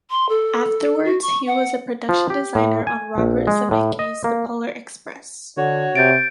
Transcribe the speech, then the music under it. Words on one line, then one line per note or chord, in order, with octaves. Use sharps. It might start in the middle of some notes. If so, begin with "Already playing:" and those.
Afterwards, he was a production designer on Robert Zemeckis' "The Polar Express".
C6
A4
F#4
C#6
F#5
F3
G4
A2
G#5
A#1
G#3
A2
D#5
A#3
D3 F#4 C#5
C3 G6 A6 D7